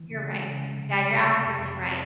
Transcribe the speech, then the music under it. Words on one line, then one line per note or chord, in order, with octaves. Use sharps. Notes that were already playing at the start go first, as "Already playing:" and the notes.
You're right. Yeah, you're absolutely right.
Already playing: E3
C#3
G#3
C#3
F3
C3
G#3
C3
C3
F2
F3
F2